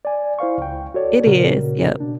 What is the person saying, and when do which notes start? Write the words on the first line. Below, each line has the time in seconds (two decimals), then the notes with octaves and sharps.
It is, yep.
0.05 D5 G#5
0.39 E4 C5 F5 C#6
0.58 C#2 G5
0.94 F#4 A4 C#5 D5
1.26 A#2 C#3 F#4 A#4
2.00 B2 D4